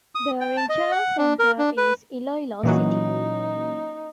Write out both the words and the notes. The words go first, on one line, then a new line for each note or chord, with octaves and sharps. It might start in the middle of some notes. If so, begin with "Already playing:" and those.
The regional center is Iloilo City.
D#6
G5
A5
D#5
F#5
D4
A#4
D4
B4
A#2 E3 F#3 A#3 C#4 D#4 C#5